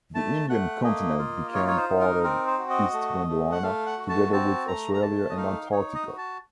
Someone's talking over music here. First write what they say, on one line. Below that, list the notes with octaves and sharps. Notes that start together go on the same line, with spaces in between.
The Indian continent became part of East Gondwana, together with Australia and Antarctica.
A3 A5
A3 F#5
A#3 D#5
F4
D#4 C#5
C#5
C5
D#4
A#4
C4 A#4
C5
F#4
D#5
A3
A3
F#5
A3 F5
F#5
F#4
A5
C4 A5
A3 A#5
A#5
A3 A5
D#5
D#4 F5
D#4 C#5
D#5
F#4
A5